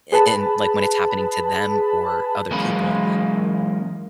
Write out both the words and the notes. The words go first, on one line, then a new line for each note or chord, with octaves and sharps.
a and, like, when it's happening to them or other people,
G#4 B4 A5 B5
E3 F#3 G#3 A#3 C#4 B5